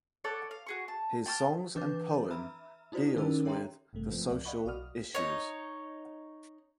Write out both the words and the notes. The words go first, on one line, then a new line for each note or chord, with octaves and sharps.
His songs and poem deals with the social issues.
A4 C#5 D5 F#5
F5
F#4 G#4 C#6
A5
G5 A5 C#6 F6
E3 D4 B4 D6 G6 A6
E5 A#5 B5 E6 F6
D#4 E4 F#4 C5 D5
D#3 C#4 D#4 A#4 E6
A4 C#5 E5 G5 A#5 C6
G#1 G2 C3 A3
G#2 F3 A3 B3 C4
C#2 D5 E5
D5 D#5 F5 F#5 B5 C#6
B1 F#4 D5 D#6 F6
D#4 C#5